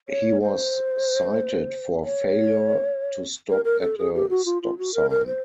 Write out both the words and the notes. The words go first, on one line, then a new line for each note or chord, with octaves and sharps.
He was cited for failure to stop at a stop sign.
C#5
C5
C#5
A#4
A#4
A4
G#4
G4
F#4
F4
F4
F#4
A#4
A#4
C5